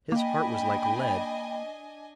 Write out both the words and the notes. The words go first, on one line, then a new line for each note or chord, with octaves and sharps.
His heart was like lead.
A#3 D4 D#5 G5 G#5 B5